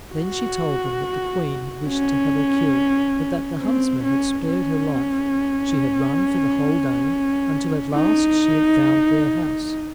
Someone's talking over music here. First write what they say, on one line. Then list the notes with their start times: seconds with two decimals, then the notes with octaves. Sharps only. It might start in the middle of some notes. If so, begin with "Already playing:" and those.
Then she told them that the Queen had wished to have her killed, but that the huntsman had spared her life; she had run for the whole day, until at last she had found their house.
0.14 F#4
1.88 C#4
3.61 C4
4.04 C#4
4.48 C#4
7.94 D#4